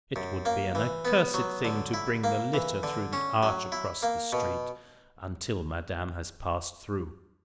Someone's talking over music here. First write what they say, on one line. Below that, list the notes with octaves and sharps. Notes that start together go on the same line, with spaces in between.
It would be an accursed thing to bring the litter through the arch across the street, until Madame has passed through.
F#2
A#3
E3
B3
F#3
D3
E4
A#3
E3
D3
C#4
F#3
E4
A#3
B2